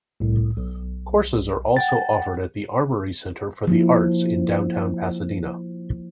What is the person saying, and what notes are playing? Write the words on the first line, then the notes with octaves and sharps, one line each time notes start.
Courses are also offered at the Armory Center for the Arts in downtown Pasadena.
C2 A2
B1
F#5 G5 A6
F3 A#3 E4